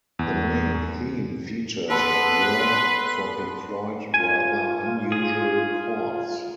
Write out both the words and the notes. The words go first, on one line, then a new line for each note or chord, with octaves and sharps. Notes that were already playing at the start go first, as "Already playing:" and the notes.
The main theme features what were, for Pink Floyd, rather unusual chords.
E2
B3 A4 B4 C6
F4 G#5
G#4